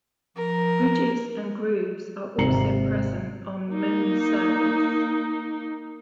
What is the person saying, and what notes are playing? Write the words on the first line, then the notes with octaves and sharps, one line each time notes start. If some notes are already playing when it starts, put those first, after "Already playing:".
Ridges and grooves are also present on moon's surface.
F3 A#4
G#1 C3 A#5 C7 C#7 F#7
A#3 D#4